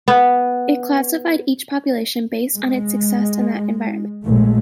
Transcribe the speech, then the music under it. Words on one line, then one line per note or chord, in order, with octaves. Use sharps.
It classified each population based on its success in that environment.
B3
G#3
A#1 G#3 A3